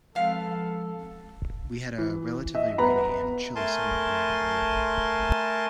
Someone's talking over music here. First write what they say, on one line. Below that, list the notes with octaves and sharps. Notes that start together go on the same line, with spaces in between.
We had a relatively rainy and chilly summer here in Berlin.
F3 G#3 B3 C4 A4 F5
F3
E3
D#5 E5
B3 B4 A#5 B5
A3 A#4 G#5 A5 C6